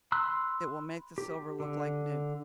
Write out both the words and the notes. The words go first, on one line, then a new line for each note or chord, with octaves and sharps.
It will make the silver look like new.
B5 C6 E6 F#6
G4
D3